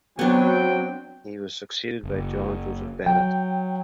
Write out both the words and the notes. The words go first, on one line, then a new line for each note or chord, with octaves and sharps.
He was succeeded by John Joseph Bennett.
F#3 B3 C4 D4 G5
F#1
F#3 G5